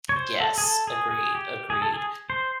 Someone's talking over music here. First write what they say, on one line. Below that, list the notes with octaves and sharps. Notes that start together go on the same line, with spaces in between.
M yes, agreed, agreed.
C#5
C5
A4
G#4
A4
G#4
G#4
G4
G#4
A4
G#4
C5